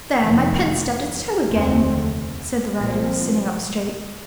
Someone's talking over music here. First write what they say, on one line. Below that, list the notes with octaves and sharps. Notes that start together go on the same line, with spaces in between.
"There, my pen's stubbed its toe again," said the writer, sitting up straight.
F1 F2 D#3
F1 D#2 D3 A3 C4
C2 A#2 F3 C4